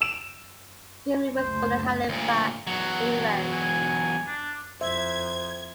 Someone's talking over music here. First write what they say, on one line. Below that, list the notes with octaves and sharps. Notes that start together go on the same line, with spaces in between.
Grimley was born in Halifax, England.
E6 D7 E7
F#1 D2 C5
D2 A#2
E2 F#3
G#5
D4
F2 C5 E5 G#6